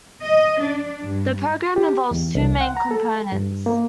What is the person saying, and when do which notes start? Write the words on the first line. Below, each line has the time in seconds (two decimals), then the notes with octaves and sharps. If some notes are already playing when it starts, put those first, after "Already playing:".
The program involves two main components.
0.22 D#5
0.59 D4
1.03 G2
1.76 G4
2.11 E2
2.35 C2
2.61 F#5
2.77 A#5
2.91 A4
3.32 G2
3.66 A#3